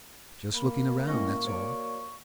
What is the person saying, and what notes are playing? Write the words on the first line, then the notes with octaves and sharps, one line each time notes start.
"Just looking around, that's all."
A#3 B5
A2 C#4 D#5 C#6
F#4 C#5 D5